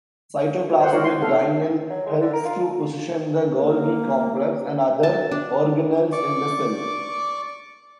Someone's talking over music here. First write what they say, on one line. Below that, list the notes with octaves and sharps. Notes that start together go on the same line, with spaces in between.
Cytoplasmic dynein helps to position the Golgi complex and other organelles in the cell.
C5 F#5
D#4 F4 A#4 C#5 D5 C6
C6
A4 F5
F#3
G#3
D3
A#4
F4
A#3
A5
D4
D5 C#6 D6